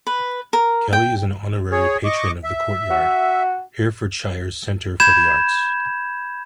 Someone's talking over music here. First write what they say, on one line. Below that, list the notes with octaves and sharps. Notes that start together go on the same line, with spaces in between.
Kelly is an Honorary Patron of The Courtyard, Herefordshire's Centre for the Arts.
B4
A#4
G5
G#4 C#5
D#5 C#6 D6
E5
F#4
B5 G6 G#6 E7